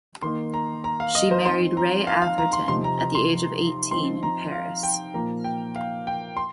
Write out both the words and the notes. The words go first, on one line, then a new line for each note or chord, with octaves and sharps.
She married Ray Atherton at the age of eighteen in Paris.
D#3 A#3 D#4 C6
A#5
A#5
F5
D#5
C5
F3 C4 D#4 C6
A#5
F5
F5
A#5
C6
C3 F3 D#4 C6
A#5
A#5
C6
F3 C4 D#4 C6
A#5
F5
G5
A#2 F3 A#3 A#5
G5
F5
G5
C6